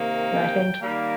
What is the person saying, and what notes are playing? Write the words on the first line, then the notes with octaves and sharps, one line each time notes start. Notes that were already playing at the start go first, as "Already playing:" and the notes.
know, I think
Already playing: C3 D#3 A#3
G5
D#3 G3 A#3